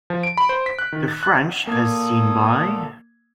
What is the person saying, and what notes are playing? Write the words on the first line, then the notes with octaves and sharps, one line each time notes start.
The French as Seen By...
F3
D7
B5
C5
B6
F#6
D#3
A6
F#6
A#2 A#3 A4 D#6 G#6